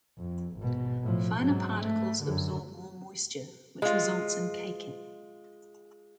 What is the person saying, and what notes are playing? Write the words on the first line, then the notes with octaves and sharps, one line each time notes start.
Finer particles absorb more moisture, which results in caking.
F2
G#1 B2
A2 F3
G#2 F#3
A3
F#2 D3
G#3 F4